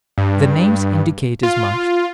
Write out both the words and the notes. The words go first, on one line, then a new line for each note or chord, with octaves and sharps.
The names indicate as much.
G2
F4